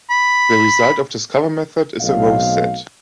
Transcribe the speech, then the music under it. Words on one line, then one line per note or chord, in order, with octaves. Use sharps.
The result of Discover method is a rowset.
B5
B1 A3 C4 D#5 F5